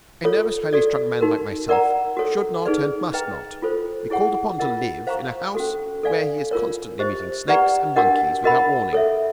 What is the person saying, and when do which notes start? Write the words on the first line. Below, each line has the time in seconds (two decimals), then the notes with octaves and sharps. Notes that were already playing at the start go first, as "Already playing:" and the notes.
A nervous, highly-strung man like myself should not, and must not, be called upon to live in a house where he is constantly meeting snakes and monkeys without warning.
0.24 F4 A4 C#5
0.73 F#4 A4 D5
1.21 D#4 F#4 A#4
1.69 A#4 D5 F#5 A#5
2.17 F#4 A4 C#5
2.65 D#4 G#4 B4 D5
3.14 B4 D#5 G5 A#5
3.62 F4 A4 C5
4.10 E4 G#4 C#5 F#5
4.58 F4 A#4 D#5 F#5
5.07 C5 F5 A#5 C#6
5.55 C#4 F#4 A4
6.03 A4 D5 F5 G#5
6.51 F4 A#4 C#5
6.99 G4 C5 D#5
7.48 G4 B4 D5 F#5 A#5
7.96 D4 F#4 A#4 D#5 F#5
8.44 F#4 A#4 D#5 F#5 B5
8.93 A4 C#5 E5